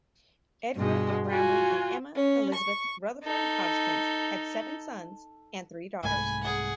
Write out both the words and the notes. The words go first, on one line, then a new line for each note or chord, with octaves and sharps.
Edgar Grambry and Emma Elizabeth Rutherford Hodgkins had seven sons and three daughters.
G2 B2 G#3
F4 F#4 G#5
C#4
C#6
D#4 A4
C2 G#2 A3 G#5 B5
G#4 F#5